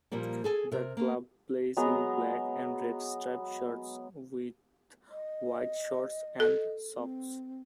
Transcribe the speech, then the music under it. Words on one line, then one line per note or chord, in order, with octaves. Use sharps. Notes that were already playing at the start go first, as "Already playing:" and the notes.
The club plays in black and red stripe shirts with white shorts and socks.
A#2 F3 G3 A#3
G#4 A4 G#5
C3 A#4
A#3
F#3 G#3 B3 A#5
D#5
A4
C4